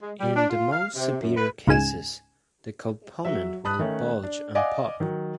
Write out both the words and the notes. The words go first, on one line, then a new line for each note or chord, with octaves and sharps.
In the most severe cases, the component will bulge and pop.
G#3
G3
D4
F4
F5
C3
F#2
B4
C#2 G#2 C#3 G#5 E7
F#3 E5
A5 B5 D#6 F#6
D#3 A3 C#4
D4
D5 D#5 F5 F#5 G#5 D6
D#3 F#3